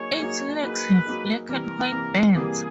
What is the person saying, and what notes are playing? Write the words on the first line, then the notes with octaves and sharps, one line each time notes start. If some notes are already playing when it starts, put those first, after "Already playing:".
Its legs have black and white bands.
Already playing: F#3 A#3 D#4 G#4 C#5
F#3 A#3 D#4 G#4
F#3 A#3 D#4 G#4 B4
F#3 A#3 D#4 G#4
C3 E3 G3 A#3 A#4
C3 E3 G3 A#3
C3 E3 G3 A#3 G#4